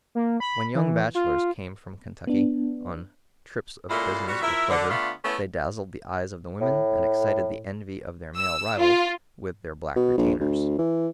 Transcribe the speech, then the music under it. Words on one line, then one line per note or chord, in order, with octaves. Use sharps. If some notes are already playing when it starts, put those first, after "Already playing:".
When young bachelors came from Kentucky on trips of business or pleasure, they dazzled the eyes of the women and excited the envy of their male rivals with their black retainers.
A#3
B5
E3
F4
B3 D4
A#2 C#3 G#3 A3 E4 F4
F2 G3 B3 F#4
F3 E4 A#4 E5
D3
D3 A3 B3 D4 F4
A3 B3 C#4 E4 A4
A2
E6
F4
B2
A#1
D2
E3